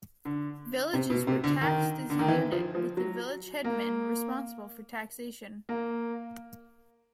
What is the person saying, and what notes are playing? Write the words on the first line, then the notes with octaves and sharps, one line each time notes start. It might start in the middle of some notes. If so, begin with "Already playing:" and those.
Villages were taxed as a unit, with the village headman responsible for taxation.
D3
C3
B2
C3
D3
D#3
D3
D#3
E3
F3
F3
F#3
A#3
A#3